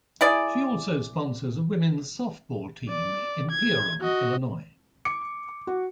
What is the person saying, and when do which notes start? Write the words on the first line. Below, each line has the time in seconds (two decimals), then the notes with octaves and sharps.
She also sponsors a women's softball team in Pierron, Illinois.
0.21 E4 G#4 D5
2.89 D5
3.51 G#6
4.01 F#4 D#5
5.05 D6 C#7
5.67 F#4